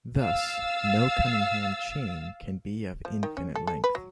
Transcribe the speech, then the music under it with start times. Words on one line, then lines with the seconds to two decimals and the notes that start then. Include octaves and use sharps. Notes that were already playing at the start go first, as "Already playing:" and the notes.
Thus, no Cunningham chain can be of infinite length.
0.20 F5 E6 A6
3.05 F3
3.23 D#3
3.37 C#4
3.55 A4
3.67 A4
3.84 B4
3.95 F#3